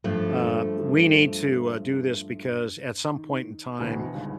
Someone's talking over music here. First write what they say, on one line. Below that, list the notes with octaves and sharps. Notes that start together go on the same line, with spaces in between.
uh, we need to, uh, do this because at some point in time,
G2 F3 A3
D#3
D2 B2 D3 E3
G1 C#2 G#2